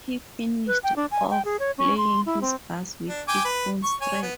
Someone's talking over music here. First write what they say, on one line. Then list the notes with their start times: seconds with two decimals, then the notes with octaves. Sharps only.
He finished off playing his bass with its own strap.
0.67 B4
0.84 G5
0.96 D4
1.11 G#5
1.30 G5
1.45 G#4
1.60 C#5
1.78 C#4
1.98 C6
2.26 E4
2.42 C4
3.08 D4
3.28 G5 G#5 D6
3.45 B4
3.84 C#6
4.01 C#5 G#5
4.22 B3